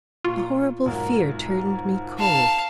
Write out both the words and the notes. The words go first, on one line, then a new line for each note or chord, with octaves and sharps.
A horrible fear turned me cold.
A#2 F4 C#6
B1 G#2 A#4
F5 A5